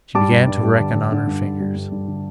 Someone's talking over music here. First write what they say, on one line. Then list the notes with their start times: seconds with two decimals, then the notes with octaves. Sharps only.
She began to reckon on her fingers.
0.15 G3 A5 D6
0.31 G2
0.47 G2
0.63 G3
0.79 D3
0.95 D3
1.12 D3
1.27 G2
1.44 G2
1.60 G3
1.76 G2
1.92 G2
2.08 D3